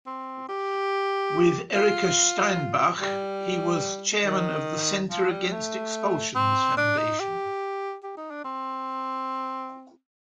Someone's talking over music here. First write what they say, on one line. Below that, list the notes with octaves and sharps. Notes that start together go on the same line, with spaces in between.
With Erika Steinbach, he was chairman of the "Centre Against Expulsions" foundation.
C4
G4
F4
G3
D#3
F3
G3
A3
C4
D4
D#4
G4
G4
D#4
D4
C4